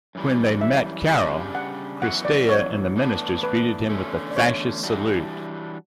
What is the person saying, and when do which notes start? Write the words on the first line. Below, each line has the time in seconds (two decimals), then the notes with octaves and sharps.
When they met Carol, Cristea and the ministers greeted him with the Fascist salute.
0.15 F#2 E3 G3
0.61 E5
1.09 C#3 G3 D4 G4
1.55 F#5
2.02 F#2 E3 B3 F#4 F#5
2.25 D5
2.49 C#5
2.96 A2 E3 B3 D4
3.43 B4
3.90 E2 D3 A3 C#4
4.31 D5
4.36 C#5
4.83 E3 G3 D4 F#4